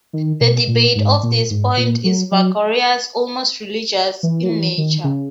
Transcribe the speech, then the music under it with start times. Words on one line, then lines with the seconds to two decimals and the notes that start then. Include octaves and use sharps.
The debate of this point is vigorous, almost religious, in nature.
0.13 D#3
0.41 B2
0.68 A#2
0.95 G#2
1.23 A#2
1.50 G#2
1.77 A#2
2.04 F#3
2.32 F#3
4.23 E3
4.43 F#3
4.49 E3
4.78 D#3
5.04 C#3